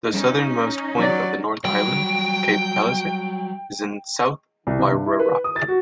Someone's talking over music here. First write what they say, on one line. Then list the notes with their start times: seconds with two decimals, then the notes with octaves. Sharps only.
The southernmost point of the North Island, Cape Palliser is in the South Wairarapa.
0.13 C#4 D#4
0.98 F#3 D5
1.65 F#3 G3 G5
4.67 C2
4.79 C3
4.92 G2
5.06 E4
5.19 B4
5.44 D#6
5.56 A6
5.68 F#4